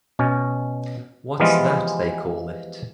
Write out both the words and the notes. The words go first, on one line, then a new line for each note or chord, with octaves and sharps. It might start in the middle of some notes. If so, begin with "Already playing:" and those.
What's that they call it?
B2 C#4
E3 F3 G3 G#3 B3 F4